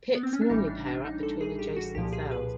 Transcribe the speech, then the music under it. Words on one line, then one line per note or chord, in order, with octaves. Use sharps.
Pits normally pair up between adjacent cells.
B3
C4
C#4
D4
A1 A2 E3 G3 D#4
D4
D4
D#4
A4
G#4
G4
F#4
C2 A#2 F3 G4
G#4
B4